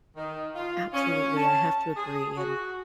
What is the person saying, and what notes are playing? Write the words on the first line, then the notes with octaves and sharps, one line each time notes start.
Absolutely, I have to agree, and
D#3
F4
C#4
A5
G#4
F#4